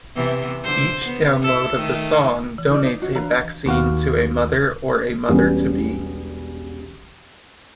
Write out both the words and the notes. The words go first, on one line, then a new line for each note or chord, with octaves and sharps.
Each download of the song donates a vaccine to a mother or a mother-to-be.
C3 E3 B3
D3 C5
B3
E4 A4
D#3 A3
E3
D#4 D5
D#4
C#4 F#4 D#5
E3 D4 B4 F5 A#5
D#2 F#4 F5
E1 G3 B3 C#4